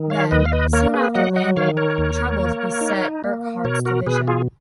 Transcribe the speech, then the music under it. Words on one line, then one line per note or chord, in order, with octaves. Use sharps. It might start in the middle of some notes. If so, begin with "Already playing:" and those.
Then, soon after landing, troubles beset Urquhart's division.
Already playing: D#3
C#5 F5
D#2 B4 D#5
F5
B4 D#5
A#3 A#4 C#5
G#4 B4
F#3 D#5 F#5
D#5 F#5
D#3 C#5 F5
A#4 C#5
D#2
A#3
D#4
A#3
B2 A#4 C#5
F#4 A#4
B2 G#4 B4
F4 G#4